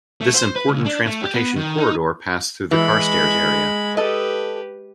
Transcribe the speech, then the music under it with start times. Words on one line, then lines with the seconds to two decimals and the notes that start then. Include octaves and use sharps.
This important transportation corridor passed through the Carstairs area.
0.21 A3
0.34 C5
0.56 B4
0.69 C#2
0.86 D4
1.06 A3
1.22 G4
1.34 B3
1.56 D#3
1.78 D#4
2.71 E3 G#3 B5
3.97 G4 A4 B4 D#5